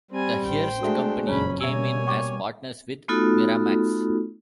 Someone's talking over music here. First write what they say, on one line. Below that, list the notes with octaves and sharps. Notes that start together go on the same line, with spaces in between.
The Hearst company came in as partners with Miramax.
G3 C4 G#5
A1 C5 G5
G#3 A3 D4 F#4 A4 E5
F#1 F2 A#2 C#4 C#5 A#5 B5
B2 G3 A#3 C#5 E5 G#5 A#5 E6
G5 C#6 D6
A3 B3 D#4 F4 F#4 A4